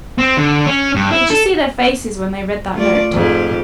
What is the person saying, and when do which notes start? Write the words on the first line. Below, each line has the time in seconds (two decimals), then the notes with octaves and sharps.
"Did you see their faces when they read that note?"
0.18 C4
0.37 D3
0.66 C#4
0.95 G2
1.11 E4
1.30 A4
2.74 A3 F4 D5
3.12 F2 G#2 G4